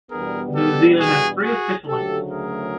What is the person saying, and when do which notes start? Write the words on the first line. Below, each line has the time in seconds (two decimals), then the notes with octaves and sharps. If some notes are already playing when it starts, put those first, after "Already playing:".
New Zealand has three official languages.
0.10 E2 B2 G3 B3 D4 G#4 A#4
0.55 G4 A4
0.99 F#4 G#4
1.43 F#4 G#4
1.88 D2 C#3 F#3 A3 G4 A4
2.32 G#4 A#4